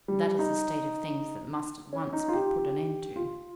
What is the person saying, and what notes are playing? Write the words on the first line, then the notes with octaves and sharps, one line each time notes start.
That is a state of things that must at once be put an end to!
G3
D#4
C#4
D#4
F4
G4
F4